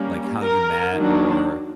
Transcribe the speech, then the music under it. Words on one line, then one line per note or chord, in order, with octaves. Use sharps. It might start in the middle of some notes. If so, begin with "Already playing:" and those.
like how you met or
Already playing: G3 A#3 C#4
A#4
D#3 F#3 A#3 D4